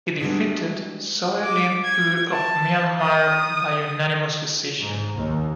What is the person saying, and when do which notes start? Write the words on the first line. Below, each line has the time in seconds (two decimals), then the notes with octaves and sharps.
He defeated Soe Lin Oo of Myanmar by unanimous decision.
0.20 G3 G#3 B3 D4 F#4 G#4
1.43 D6
1.84 G#6
2.32 A5
3.00 D#6
4.79 G#2
5.16 D#2